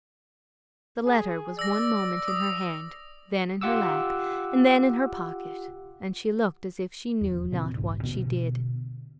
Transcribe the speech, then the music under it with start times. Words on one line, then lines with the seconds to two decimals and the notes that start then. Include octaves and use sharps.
The letter was one moment in her hand, then in her lap, and then in her pocket; and she looked as if she knew not what she did.
1.06 G#4
1.59 D5 E6 A#6
2.28 D#6
3.61 F4 G4 F#5 D6 E6
7.21 D#1 E2
7.52 A#2 C#3 C4
7.77 F#1 B1 G#2
8.03 B2 D3 G#3 B3